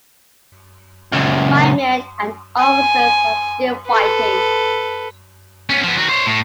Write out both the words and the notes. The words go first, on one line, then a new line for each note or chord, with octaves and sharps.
My men and officers are still fighting.
C#2 F#2
G#5
A4 B4
B3 C#4
F3 B3
D#3 F#4
C5 C#5
A2